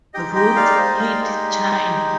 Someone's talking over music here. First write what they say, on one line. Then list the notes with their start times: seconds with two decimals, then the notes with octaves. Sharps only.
Ruth hit China.
0.14 G#3 D#4 G4 D#5 G5
0.35 D#5 G5
0.56 D5 F5
0.77 C5 D#5
0.98 D5 F5